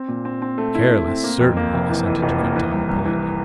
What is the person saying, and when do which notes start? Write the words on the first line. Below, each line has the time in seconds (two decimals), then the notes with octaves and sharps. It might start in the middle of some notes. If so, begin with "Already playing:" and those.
"Careless, certainly," assented Quintana politely.
Already playing: C4
0.08 A#2
0.25 C4
0.42 C4
0.58 A3
0.75 E4
0.91 E4
1.08 C4
1.24 A#3
1.40 F2
1.57 A#3
1.74 F1
1.90 E3
2.06 E3
2.22 F1
2.39 A#3
2.56 E3
2.72 C2
2.89 C2
3.05 E3